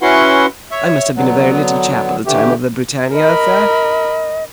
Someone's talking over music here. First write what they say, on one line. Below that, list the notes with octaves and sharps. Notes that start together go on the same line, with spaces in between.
I must have been a very little chap at the time of the Britannia affair.
C#4 E4 F#4 B4 F#5 C6
C#5 E5
D3 F#3 B3
D3 E3 A3 G4
A#4 D#5 B5